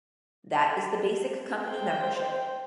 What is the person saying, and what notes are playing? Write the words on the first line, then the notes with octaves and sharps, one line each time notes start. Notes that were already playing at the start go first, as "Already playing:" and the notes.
That is the basic company membership.
C5 G5